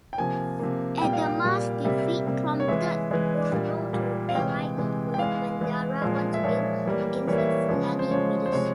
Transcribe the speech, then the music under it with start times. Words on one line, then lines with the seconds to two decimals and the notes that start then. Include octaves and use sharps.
Adama's defeat prompted Borno to ally with Mandara once again against the Fulani invaders.
0.13 G5
0.18 C3 F3 A#3 G#5
0.59 C3 F3 A#3
1.02 A#2 G3 A#3 G5
1.13 F5
1.26 G5
1.44 A#2 G3 A#3
1.85 C3 G3 A#3 E5
2.27 C3 G3 A#3
2.60 C#5
2.68 E3 G#3 E5
3.11 E3 G#3
3.52 A#2 G3 A#3
3.93 A#2 G3 A#3
4.29 F5
4.35 C3 E3 G#3 G5
4.77 C3 E3 G#3
5.14 G5
5.18 E3 G#3 F5
5.61 E3 G#3
6.02 A#2 F3 G#3
6.34 E5
6.43 A#2 F3 G#3 C#5
6.86 E3 G3 A#3
7.27 E3 G3 A#3 C#5
7.38 E5
7.49 C#5
7.69 C#3 F3 G#3
7.99 C5
8.11 C#3 F3 G#3 C#5
8.46 C5
8.52 C3 F3 G#3 C#5